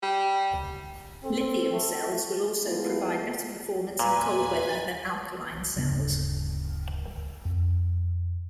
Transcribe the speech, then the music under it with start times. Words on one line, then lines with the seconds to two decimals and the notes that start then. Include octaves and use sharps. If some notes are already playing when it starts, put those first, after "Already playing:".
Lithium cells will also provide better performance in cold weather than alkaline cells.
0.03 G3
1.24 C4 A4
1.72 A3
2.62 G#3 A3 B3 E4 F4
3.99 A#2 B4 G#5
5.76 D1 G2 C#3 B3
7.45 F2